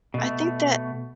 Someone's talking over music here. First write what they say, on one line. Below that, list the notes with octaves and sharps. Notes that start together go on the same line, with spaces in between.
I think that
B2 A3